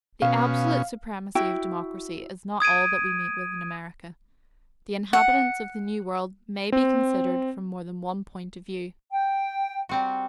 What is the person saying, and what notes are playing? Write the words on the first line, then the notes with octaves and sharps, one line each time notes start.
The absolute supremacy of democracy is not all that we meet with in America; the inhabitants of the New World may be considered from more than one point of view.
B2 C#4 F5
E4 F#4 G5
D#6 G#6 D7 D#7
F#5
C4
G5
G3 C4 F#4